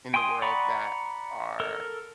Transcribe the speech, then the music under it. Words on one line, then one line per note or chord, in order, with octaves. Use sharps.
in the world that are
G5 G#5 C6 D#6
D5 F#5 A#5 B5 C#6
A4 A#4